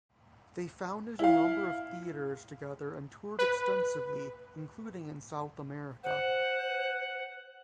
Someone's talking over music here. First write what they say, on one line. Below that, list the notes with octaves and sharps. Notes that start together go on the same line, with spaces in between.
They founded a number of theatres together and toured extensively, including in South America.
E4 F5
B4
C5 F#5